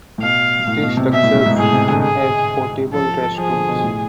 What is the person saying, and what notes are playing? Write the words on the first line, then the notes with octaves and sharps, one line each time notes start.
These structures have portable restrooms.
A2
B2 F5
A2
B2
C3
B2 E5
A2
A2
G#2
A2 G#4
C3
D3
G#4
F3 A4
F3 G#4
D3
B2
A2